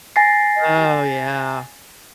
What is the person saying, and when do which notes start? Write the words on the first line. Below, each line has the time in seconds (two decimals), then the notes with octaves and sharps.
Oh, yeah.
0.16 G#5 A6 A#6 C7